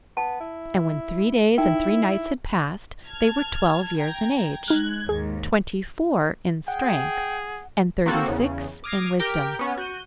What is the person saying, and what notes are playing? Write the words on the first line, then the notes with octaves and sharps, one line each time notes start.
And when three days and three nights had passed they were twelve years in age, twenty-four in strength, and thirty-six in wisdom.
B3 A5
E4
D#4 E4 A#4 G5
A5 F6 G#6
G5 A#5 G#6
G#3 D#4 F6 F#6 G#6
D#2 G#2 G#4
G#4 F#5 G5
A#3 C4 F#4 A4
E2 C#3
D6 D#6 F6 G#6 A#6 C7
G4 A#4 G5
B3 C#4
F#4 G6 D#7